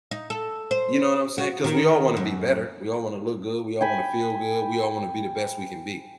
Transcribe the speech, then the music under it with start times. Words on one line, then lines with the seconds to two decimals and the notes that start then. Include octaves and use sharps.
you know what I'm saying? 'Cause we all wanna be better. We all wanna look good, we all wanna feel good, we all wanna be the best we can be.
0.11 D#4
0.30 A4
0.71 C5
1.38 F#4
1.64 D#3
2.17 F#2
3.81 G5 G#5 B5